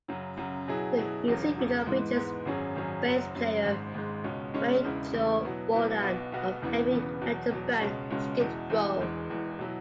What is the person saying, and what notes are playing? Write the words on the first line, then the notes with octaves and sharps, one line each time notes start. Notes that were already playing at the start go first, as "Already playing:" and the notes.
The music video features bass player Rachel Bolan of Heavy Metal band Skid Row.
F#2 C#3 F#3
F#2 C#3 F#3
B2 F#3 E4 G#4
B2 F#3 E4 G#4
E1 E2 C#3 F#3
E1 E2 C#3 F#3
G#2 E3 G#3 B3
G#2 E3 G#3 B3
G#1 F#2 F#3 C#4 G#4
G#1 F#2 F#3 C#4 G#4
F#1 F#2 F#3
F#1 F#2 F#3
G#1 G#2 G#3
G#1 G#2 G#3
C#2 B2 G#3 C#4
C#2 B2 G#3 C#4
E1 E2 C#3 G#3 E4
E1 E2 C#3 G#3 E4
B2 F#3 B3 E4
B2 F#3 B3 E4
B1 B2 B3 F#4
B1 B2 B3 F#4
E1 E2 C#3 E3 B3
E1 E2 C#3 E3 B3
E2 B2 F#3
E2 B2 F#3
C#2 B2 G#3 C#4
C#2 B2 G#3 C#4
E2 B2 G#3 E4
E2 B2 G#3 E4
E1 E2 E3 G#3
E1 E2 E3 G#3
B2 F#3 E4